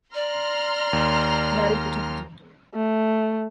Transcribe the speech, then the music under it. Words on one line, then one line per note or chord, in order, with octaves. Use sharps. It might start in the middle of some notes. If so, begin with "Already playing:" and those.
Mary put her foot into it.
D5 A#5 C6 F6
D#2
A3